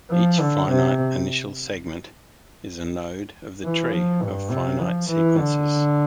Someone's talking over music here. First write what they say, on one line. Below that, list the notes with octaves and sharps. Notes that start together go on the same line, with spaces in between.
Each finite initial segment is a node of the tree of finite sequences.
F3
D3
C3
E3
F3
G2
C3
F3
E3
D3